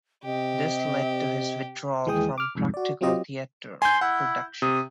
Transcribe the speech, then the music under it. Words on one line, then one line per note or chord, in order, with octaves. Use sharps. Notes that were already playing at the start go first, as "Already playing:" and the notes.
This led to his withdrawal from practical theatre production.
C3 G4 D#5
D#2 E3 G#3 G#4 G5 D#6
D6 F6
C2 F2 G#2
F#4 D5
F#3 C4 F4 G4 D#5
G#5 C6 G6
E4 F#5
C3 D#6